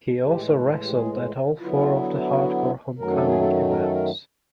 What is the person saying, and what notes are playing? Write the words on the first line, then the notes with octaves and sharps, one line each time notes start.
He also wrestled at all four of the Hardcore Homecoming events.
A2 E3 G#3 G4
G4
G#4
D3 F#3 B3 E4 F4
F4
F#4
F#2 D#3 F#3 A3 A#4
A4
G#4
A4
A#4
A4
A#4